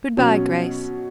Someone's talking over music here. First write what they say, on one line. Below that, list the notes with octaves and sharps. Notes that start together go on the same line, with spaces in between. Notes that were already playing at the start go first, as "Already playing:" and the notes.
Good-bye, Grace.
B2 F#3 C#4